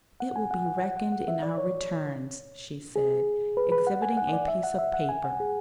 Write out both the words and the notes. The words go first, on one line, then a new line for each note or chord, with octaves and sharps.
It will be reckoned in our returns,' she said, exhibiting a piece of paper.
F#5
G#5
F#5
F#5
F#5
F#5
F#5
E5
D5
C#5
G#4
B4
B4
F#5
G#5
F#5
D5
E5
F#5
E5
F#5
G#5
F#5
G#4